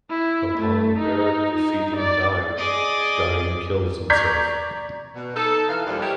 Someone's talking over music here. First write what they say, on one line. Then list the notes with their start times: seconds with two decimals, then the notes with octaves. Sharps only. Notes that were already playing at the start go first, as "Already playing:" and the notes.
Upon Barret defeating Dyne, Dyne kills himself.
0.10 E4
0.58 A3
0.98 D#4
1.55 D#4
1.96 D5
2.58 G#4 D5 D#5
4.10 D5 A#5 C#6 G6 G#6 B6
5.15 B2
5.35 D#4 A4
5.68 E3 F5
5.87 D#2 A#2 F3 G3
6.01 E4 G4 A#4 B4 C#5 D#5